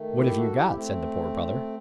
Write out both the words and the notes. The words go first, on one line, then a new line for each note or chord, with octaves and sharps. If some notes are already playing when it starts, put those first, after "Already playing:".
"What have you got?" said the Poor Brother.
Already playing: D#3 A3
E4 G4
F#4 A4
E4 G4
A3 C4